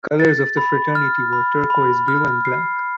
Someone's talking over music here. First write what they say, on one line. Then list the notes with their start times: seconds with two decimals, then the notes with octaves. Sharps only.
Colors of the Fraternity were Turquoise Blue and Black.
0.20 A6
0.57 B5
0.95 F6
1.33 B5
1.70 B5
2.08 F6
2.45 C7